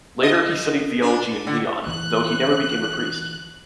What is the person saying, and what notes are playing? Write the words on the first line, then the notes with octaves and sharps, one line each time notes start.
Later he studied theology in Lyon, though he never became a priest.
D#5
D4
D3
E2 E3 F#6